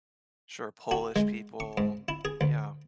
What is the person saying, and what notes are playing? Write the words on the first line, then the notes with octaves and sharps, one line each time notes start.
Sure. Polish people. Yeah.
F#4
G#3
C#6
G#2
E4
G#4
D2